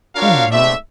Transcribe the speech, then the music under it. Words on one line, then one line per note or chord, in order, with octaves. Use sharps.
"Oh no."
D4 F4 F#4 A#4 C#5 F5
G#2 A3 C4 D5 E5